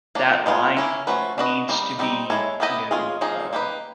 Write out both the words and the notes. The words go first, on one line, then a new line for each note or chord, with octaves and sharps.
that line needs to be, you know, uh,
F3 A#3 D4
G#3 B3 D4 F4 G#4
A#3 C#4 E4
F3 A3 C#4 F#4 B4
D4 F#4 B4 D#5
G3 A#3 D#4
G3 C4 D#4
G#3 C4 E4 A4 C#5
B3 E4 G4 C5 D#5
G#3 C#4 F4 G#4
F3 A#3 D#4 G#4
A#3 D#4 G4 B4